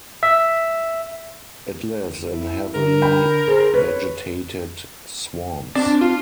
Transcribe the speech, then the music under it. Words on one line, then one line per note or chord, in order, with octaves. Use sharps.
It lives in heavily vegetated swamps.
E5
E4
D3 A#4
G5 B5
G#4 C5
B4 C#5
C4 D4 A5
F4